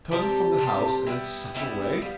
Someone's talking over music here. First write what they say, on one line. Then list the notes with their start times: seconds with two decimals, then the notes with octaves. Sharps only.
Turned from the house, and in such a way!
0.11 C3 G3 C4 G4 A5
0.58 C3 G3 C4 G4
1.06 G3 B3 E4 G5
1.54 G3 B3 E4
2.02 G3 B3 F5